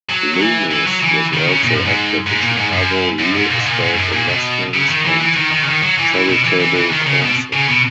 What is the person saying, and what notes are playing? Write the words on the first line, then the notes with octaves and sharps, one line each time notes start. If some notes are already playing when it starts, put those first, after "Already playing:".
Loomis was also active in Chicago real estate investments and charitable causes.
F#3
F#3
E3
E3
F#3
E3
D#3
C#3
A#2
F#2
G#2
G#2
A#2
G#2
F#2
F#2
G#2
A#2
G#2
A#2
G#2
F#2
A#2
B2
C#3
D#3
E3
E3
D#3
D#3
C#3
D#3
F#3
E3
E3
B2
E3
E3
E3
D#3
C#3
B2
C#3
B2